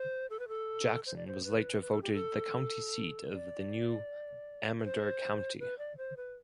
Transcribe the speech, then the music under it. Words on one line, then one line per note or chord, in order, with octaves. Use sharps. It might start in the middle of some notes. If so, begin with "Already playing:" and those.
Jackson was later voted the county seat of the new Amador County.
Already playing: C5
A4
B4
A4
C5
D5
C5
B4
B4
A4
G4
A4
D5
B4
C5
B4
D5
C5
B4